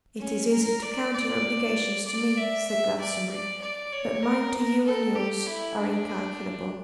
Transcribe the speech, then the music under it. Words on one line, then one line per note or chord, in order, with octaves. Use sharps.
'It is easy to count your obligations to me,' said Glastonbury, 'but mine to you and yours are incalculable.'
C#4
A#4
D5
D5
D5
E5
E5
D5
D5
D5
C#5
A#4
A4
G4
E4
D4